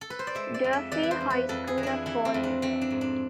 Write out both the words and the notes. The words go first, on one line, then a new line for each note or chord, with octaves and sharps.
Durfee High School of Fall River.
A4
B4
C5
D5
G#3 E5
D5
F2
E5
E3 D5
B4
C5
F2
B4
F2 A4
G#4
E3
D4 E4
E3 E4
C4
F2
D4
A3 C4
D4
G#2
D4